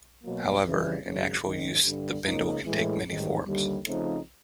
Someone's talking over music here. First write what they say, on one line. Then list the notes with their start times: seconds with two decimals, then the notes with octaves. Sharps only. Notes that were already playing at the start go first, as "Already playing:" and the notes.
However, in actual use the bindle can take many forms.
0.23 B2 F#3 A#3
0.63 F2 C#3 E3 G3
1.04 G#1 F#2 C#3 F#3
1.44 G#1 F#2 D#3
1.85 G2 D3 G3
2.25 C#2 C#3 F3 A#3 D#4
2.66 A#1 A2 E3 G#3
3.06 A1 G#2 D#3 G3
3.46 D#2 D3 G3
3.86 C#3 F3 A3 C4 D#4